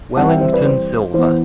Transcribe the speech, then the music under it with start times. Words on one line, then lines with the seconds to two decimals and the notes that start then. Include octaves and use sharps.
Wellington Silva.
0.16 E3 G3 C4 F#5 A5
0.28 E5 G5
0.40 C5 E5
0.53 B4 D5
0.65 C5
1.14 E3 B3 C5